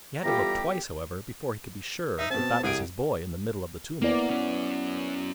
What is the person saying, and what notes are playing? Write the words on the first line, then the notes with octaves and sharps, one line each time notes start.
He had to look twice, however, before he could be sure that that was his boy in the middle of the tumult.
E3 G3 B3 F4 G4 A4 A#5
D#4 E5
B2 C4 A5
C2 G4 G#4 D7
A#3 B3 E4 D5
F#3 C#4